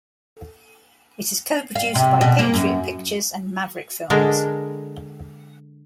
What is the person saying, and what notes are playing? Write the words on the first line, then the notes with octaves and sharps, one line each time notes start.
It is co-produced by Patriot Pictures and Maverick Films.
F5
C3
B2
A#3
F#2
D3 G#3 D4 A#4